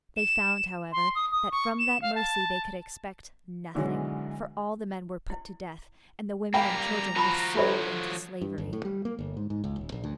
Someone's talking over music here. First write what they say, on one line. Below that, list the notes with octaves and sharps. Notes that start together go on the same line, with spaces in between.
They found, however, that from that mercy they could expect nothing, for all the men were put to death, and the women and children were sold into slavery.
E7
C6
D#6
D#6
C#6
E7
F5
A5
B1 D3 E3 F#3 G#3
E4
G3 A#3 F5 G5 G#5 A#5 B5
F3 F4 F#4 A5 B5
D4 A4 C#5 B5
G2
G1
A2
G3
A#3
G1
G#2
G#2
C#2
D#1
A#1
D2